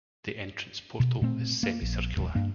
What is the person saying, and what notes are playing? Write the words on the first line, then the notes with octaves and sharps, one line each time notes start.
The entrance portal is semicircular.
B2
A#2 A3 C4
A#3
A#1
D#1
G2 A#3